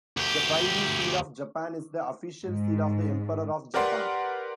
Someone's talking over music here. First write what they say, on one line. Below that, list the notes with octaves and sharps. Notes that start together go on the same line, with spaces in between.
The Privy Seal of Japan is the official seal of the Emperor of Japan.
D2 G4
G#2
G4 A#4 B4 D5 F#5 C6